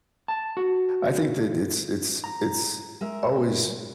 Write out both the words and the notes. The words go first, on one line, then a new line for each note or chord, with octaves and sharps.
I think that it's it's it's always
A5
F#4
A#5
G#3 A#4 E5